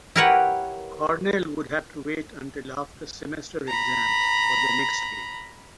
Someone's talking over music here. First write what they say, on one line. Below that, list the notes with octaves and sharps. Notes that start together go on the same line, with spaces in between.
Cornell would have to wait until after semester exams for their next game.
E4 G4 A#4 B4 C#5 F#5
A#5 B5